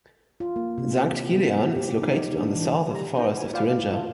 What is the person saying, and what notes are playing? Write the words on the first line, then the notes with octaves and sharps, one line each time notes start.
Sankt Kilian is located on the south of the forest of Thuringia.
F4
A#3
C3
B3
G4
D#4
D4
E3
G3 A#5
B3 D#4 G5 A#5
G#5
F4 B4 C5 D5 F5 G5
A3 E4 F4 A4